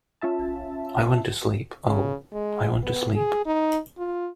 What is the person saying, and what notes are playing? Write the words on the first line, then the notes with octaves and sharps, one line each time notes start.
I want to sleep — oh, I want to sleep.
C#4 F4 E5 A5
C#3
G#3
B3
G#4
D#4
F4